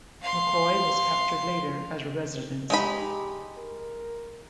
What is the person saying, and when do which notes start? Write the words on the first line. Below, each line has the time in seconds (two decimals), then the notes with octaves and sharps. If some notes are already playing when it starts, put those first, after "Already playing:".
McCoy was captured later at a residence.
0.22 F5 C6
2.70 G#3 D#4 G4 B5
3.58 A#4